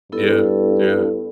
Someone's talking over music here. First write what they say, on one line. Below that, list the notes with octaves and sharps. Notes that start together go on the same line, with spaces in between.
Yeah, yeah.
G2 B3 E4 A4